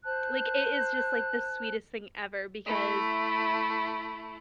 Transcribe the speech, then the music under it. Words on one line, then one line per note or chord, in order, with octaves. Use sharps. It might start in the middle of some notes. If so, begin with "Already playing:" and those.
Like, it is just like, the sweetest thing ever because,
C5 A5 F#6
A3 E4